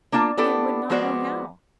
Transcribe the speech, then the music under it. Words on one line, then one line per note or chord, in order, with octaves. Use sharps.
They would not know how.
A#3 D4 F4 F#5 A5
B3 D4 E4 G4 A4
F3 G#3 B3 F#4 C5 D5